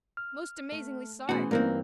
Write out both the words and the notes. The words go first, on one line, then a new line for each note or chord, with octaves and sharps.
Most amazingly sorry!
F6
A3
B2 E3 A3 C#4 F#4 G#4 C5
G2 E3 A#3 C4 D#4 A#4